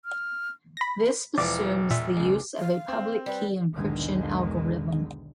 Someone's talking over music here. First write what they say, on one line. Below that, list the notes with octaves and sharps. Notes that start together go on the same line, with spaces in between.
This assumes the use of a public-key encryption algorithm.
F6
B5 A#6
E1 E3 F3 D5 D6
A#2 E5
C#2 G#3
F5
C4
G3 B4
B1 E2 G#2 D3 D#3 G#3